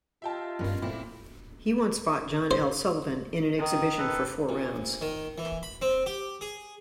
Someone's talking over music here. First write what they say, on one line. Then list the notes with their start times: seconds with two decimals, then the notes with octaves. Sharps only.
He once fought John L. Sullivan in an exhibition for four rounds.
0.22 F4 G4 D#5 E5 G5 A5
0.59 G2 B3 C#4 A#4
0.82 A#2 A3 C4 E4
2.51 C5
3.59 D#3
3.98 A4 B4
4.49 A#1
5.02 D#3
5.38 E3
5.63 B5
5.82 C4
6.06 G4
6.41 G#4